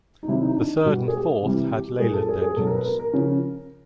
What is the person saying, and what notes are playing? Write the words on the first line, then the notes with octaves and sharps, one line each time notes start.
The third and fourth had Leyland engines.
D#4
C3 D#3 F#3 E4
D#4
D4
B2 G3 F#4
G4
G#4
G4
C3 E3 G3
G4
A#2 G3 G#4
A4
G#4
G#4
B2 F#3 A4
A#4
B4
A#4
A#4
C#3 F3